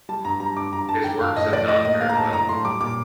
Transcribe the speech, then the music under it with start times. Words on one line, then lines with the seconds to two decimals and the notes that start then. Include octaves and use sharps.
His works have not fared well.
0.09 G3 A5
0.25 G2 A#5
0.40 G3 A#5
0.56 G2 D6
0.72 G2 A#5
0.89 G2 A5
1.04 D#3 G5
1.21 G2 F5
1.37 A2 D#5
1.53 A2 D5
1.68 A2 D#5
1.85 A#3 D#5
2.01 A#3 F5
2.09 A#5
2.17 A2 A5
2.33 A2 A#5
2.49 A2 C6
2.65 G3 D6
2.81 A#2 D6